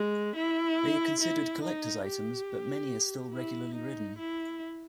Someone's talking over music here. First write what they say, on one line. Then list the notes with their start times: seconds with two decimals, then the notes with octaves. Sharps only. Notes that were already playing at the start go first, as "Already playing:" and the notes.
They are considered collector's items, but many are still regularly ridden.
Already playing: G#3
0.35 E4
1.21 E4
1.63 D#4
2.05 G4
3.33 E4
3.75 D#4
4.18 E4